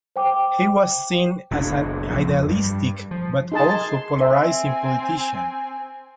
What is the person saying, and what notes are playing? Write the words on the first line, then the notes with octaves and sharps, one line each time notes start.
He was seen as an idealistic, but also polarizing politician.
C5 G5 D6
F#1 B1 A2 D4
A#1 F2 A#2
G2 G3
F3
D#4 G#4 A5 C6
C4 E5 G#5